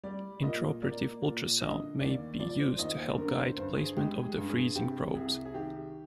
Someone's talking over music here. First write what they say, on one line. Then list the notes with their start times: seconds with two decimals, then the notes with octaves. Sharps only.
Intraoperative ultrasound may be used to help guide placement of the freezing probes.
0.04 G3 D5
0.43 A#2 D#5
0.83 A#3 D5
1.22 A#2
1.61 D3 D#5
2.00 D#2 D5
2.39 F3 D5
2.60 C5
2.79 D#2 D#5
2.99 C5
3.18 D3 A#4
3.38 C5
3.58 G2 C5
3.77 G#4
3.97 G#3 G4
4.23 G#4
4.36 G2
4.49 G#4
4.75 C3 G4
5.14 C2 G#4
5.45 G#4
5.54 D#3 G4